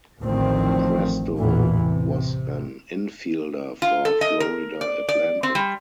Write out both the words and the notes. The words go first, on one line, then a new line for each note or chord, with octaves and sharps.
Presto was an infielder for Florida Atlantic.
A1 D2 A2 D#3 F3 C4
A1 E2 A#2 E3
C3
F4
A4
D#5
A#4
D5
D5
C4
G3